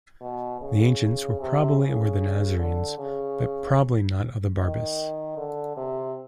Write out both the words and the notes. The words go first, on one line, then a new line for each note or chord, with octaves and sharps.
The Ancients were probably aware of the Nazarenes, but probably not of the Barbus.
B2
C#3
C3
C#3
D3
C#3
D#3
D3
C3